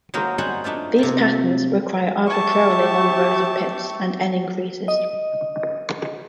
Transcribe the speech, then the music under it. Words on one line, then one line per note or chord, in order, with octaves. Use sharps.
These patterns require arbitrarily long rows of pits and "n" increases.
F#3 G#3 A#3 D#4 A#4 C5
G3 D#4 F#4 G#4 C5 F#5
F3 A3 D4 D#4
C3 F3
G4 E5 A5 C#6
D#5